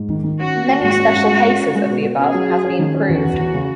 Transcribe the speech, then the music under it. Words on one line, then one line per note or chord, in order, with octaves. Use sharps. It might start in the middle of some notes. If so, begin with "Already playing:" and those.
Many special cases of the above have been proved.
Already playing: G#2
D#3
D#3
C#4 F#4
A#3
A#3
G#2 F#4
C#4
G#2
G#3
C#4
C#4
G#3
B2
B2
C#4 G#4
F#3
F#4
C#4
D#3
C#4
E2 F#4
E2
E2
C#3